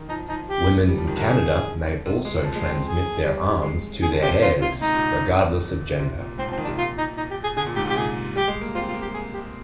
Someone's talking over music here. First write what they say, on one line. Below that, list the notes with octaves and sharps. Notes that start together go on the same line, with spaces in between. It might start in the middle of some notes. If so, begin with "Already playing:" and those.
Women in Canada may also transmit their arms to their heirs, regardless of gender.
Already playing: D#3
F3 D#4
F3 D#4
G4
G3
F3
D#3
D3 A#4
G#4
C3
G#3
F3
G#3
C4
G#4
G3
G#3
G#4
D3
C3 G4
C3
A#2 F4
C3 F4
G#2 D#4
A#2
A#2
C3
A#2
G#2 C4
F3
C4
D#3
D4
C3
A#2 F4
D#4
D#4
G4
G#4
D3 G#4
A#2
G#2 G4
C3
G4
A#2 G#4
G3 G4
G#3
A#3
C4 F4
F4
A#3
G4
G#4
G4